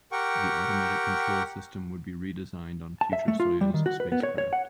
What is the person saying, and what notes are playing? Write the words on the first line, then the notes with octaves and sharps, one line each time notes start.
The automatic control system would be redesigned on future Soyuz spacecraft.
G4 A#4 F#5 G5 C#6
A5
E5
A3
F4
G3
D#3
F#4
B4
B3
C#5
C#5
F#5